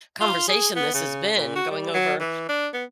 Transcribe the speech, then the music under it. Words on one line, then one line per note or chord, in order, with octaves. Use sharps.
conversation this has been, going over
F4
G#4
B3
C#3
A#2
F#4
G3
F#3
E3
D4
B3